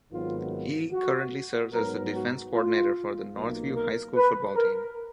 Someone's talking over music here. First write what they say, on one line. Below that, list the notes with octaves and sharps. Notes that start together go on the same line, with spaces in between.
He currently serves as the Defensive Coordinator for the Northview High School football team.
G#1 G#2 D#3 F#3 B3 F4
F#4
G#2 F#3 B3 A#4
F#4
F4
B1 B2 A#3
A#4
B4
A#4